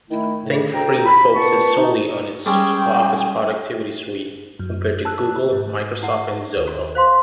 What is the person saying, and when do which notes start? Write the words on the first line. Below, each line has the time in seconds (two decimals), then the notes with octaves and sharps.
ThinkFree focuses solely on its office productivity suite compared to Google, Microsoft, and Zoho.
0.10 D#3 A3 E4
0.43 A2 C#3
0.72 D2 G5 A#5
1.05 B5
1.35 A#2 B3 B4 A5 C#6
1.76 D#4
2.46 G3 G#3 C#4 G5
4.59 F#2
5.05 A5 E6 F#6
5.52 G#2
6.03 E4 F#5
6.57 D#2
6.95 C5 F5 C6